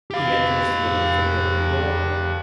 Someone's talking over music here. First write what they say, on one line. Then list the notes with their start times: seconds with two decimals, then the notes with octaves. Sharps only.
He enters the old familiar door.
0.11 G4 F5